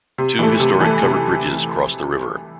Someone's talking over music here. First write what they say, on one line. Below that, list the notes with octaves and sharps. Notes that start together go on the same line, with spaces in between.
Two historic covered bridges cross the river.
C3
E3 A3
C3
E3 A3
C3